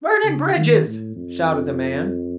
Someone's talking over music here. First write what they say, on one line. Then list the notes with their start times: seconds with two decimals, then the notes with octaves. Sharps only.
"Burning bridges!" shouted the man.
0.24 C#3
0.55 D#3
0.86 A2
1.15 F2